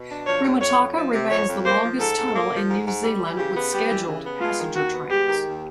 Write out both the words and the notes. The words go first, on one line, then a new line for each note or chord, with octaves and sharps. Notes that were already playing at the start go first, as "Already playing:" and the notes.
Rimutaka remains the longest tunnel in New Zealand with scheduled passenger trains.
Already playing: B2
D4
F3 C#5
C3
F2 C#5
F2
F3
C3
F2 C#5
F2
A#3 C5
F3
G#2 A4
G#2
A#3
F3
G#2
G#2
G3
E3
C#3 G4
B3
G3 G4
E3
C#3
B3
G#3 F4
D#3
D#2 F#4
B3
G#3 G4
D#3
D#2